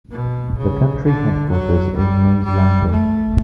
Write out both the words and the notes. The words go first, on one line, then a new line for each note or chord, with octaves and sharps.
The county headquarters’ is Mays Landing.
B2
C#3
D3
F#3
G3
G3
A3